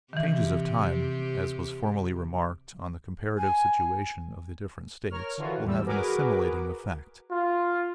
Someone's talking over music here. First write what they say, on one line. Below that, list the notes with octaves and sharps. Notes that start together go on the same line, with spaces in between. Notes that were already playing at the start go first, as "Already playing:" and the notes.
The changes of time, as was formerly remarked, on the comparative situation of the different States, will have an assimilating effect.
C3 D#3 E3 G4
G#5
A#4 C#5 F6
D3 E3 F4 F#4
E2 G3 E6
F#4 G#4 A#4 B4 D6
F4